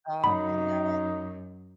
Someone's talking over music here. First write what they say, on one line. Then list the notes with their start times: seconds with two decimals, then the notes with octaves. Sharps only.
Oh, I know.
0.24 F#2 D#4 B5